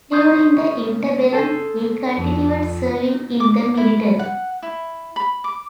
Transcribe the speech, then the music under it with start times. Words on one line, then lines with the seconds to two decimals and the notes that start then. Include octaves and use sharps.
During the interbellum he continued serving in the military.
0.11 C6 C#6 D#6 F6 G6 G#6
0.57 C#4
1.32 A4 C5 G#5
2.17 F2
3.40 D6
3.77 E4
4.19 F#5
4.62 E4
5.16 B5
5.44 D6